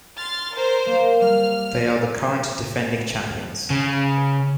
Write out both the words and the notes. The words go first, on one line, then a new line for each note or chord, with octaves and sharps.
They are the current defending champions.
C6 F6 A6
A#4 C5
A#3
G3 F6
C#3